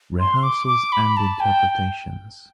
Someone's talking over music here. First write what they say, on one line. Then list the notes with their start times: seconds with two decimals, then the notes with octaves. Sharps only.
Rehearsals and interpretations.
0.19 C6
0.43 D6
0.67 D6
0.92 B5
1.17 A5
1.40 G5